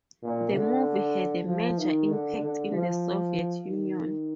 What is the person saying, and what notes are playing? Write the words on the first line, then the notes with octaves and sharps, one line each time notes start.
The movie had a major impact in the Soviet Union.
A#2
D3
F3
D#3
D3
D3
F3
D#3